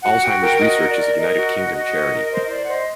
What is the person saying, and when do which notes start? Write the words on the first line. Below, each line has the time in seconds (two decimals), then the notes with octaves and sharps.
Alzheimer's Research is a United Kingdom charity.
0.02 F#4 F#5
0.22 F#4 G5
0.40 A#4 G5
0.59 F#4 D#5
0.78 A#4
0.89 D5
0.98 A#4
1.16 A#4 D#5
1.35 F#4
1.55 F#4
1.73 F#4 D#5
1.93 A#4
2.12 A#4
2.31 C5 D#5
2.43 D#5
2.50 C5 D5
2.63 F#5
2.68 C5 D#5